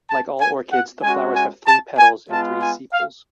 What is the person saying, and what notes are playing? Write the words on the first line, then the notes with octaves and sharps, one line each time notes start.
Like all orchids the flowers have three petals and three sepals.
A5
G#5
F#5
G#3 C#4 F#4 G#5
G#5
A5
G#5
G#3 B3 F4 A5
G#5
F5